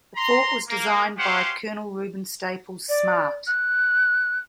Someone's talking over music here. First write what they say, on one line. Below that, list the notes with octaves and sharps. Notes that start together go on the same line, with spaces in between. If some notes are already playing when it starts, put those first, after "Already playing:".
The fort was designed by Colonel Reuben Staples Smart.
A#5 C6
A#3
C#4 G4 C5 F5 F#5 C6
D5
F#6